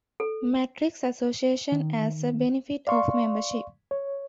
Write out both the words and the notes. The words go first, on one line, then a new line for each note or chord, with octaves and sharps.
Metric Association as a benefit of membership.
A4
D#3
D5 F5 C6 C#6
C#5